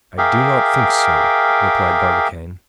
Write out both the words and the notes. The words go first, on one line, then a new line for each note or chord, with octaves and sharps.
"I do not think so," replied Barbicane.
G#4 A#4 E5 F5 G5 D6